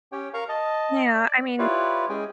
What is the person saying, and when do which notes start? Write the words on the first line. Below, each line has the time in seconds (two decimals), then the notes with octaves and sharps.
Yeah, I mean
0.12 C#4 G4 C#5 G5
0.34 A#4 F5 A#5 C#6
0.49 D#5 A5
1.14 D5
1.59 E4 F4 G4 B4 C#5 D5
2.09 G#3 C#4 G#4 G5 G#5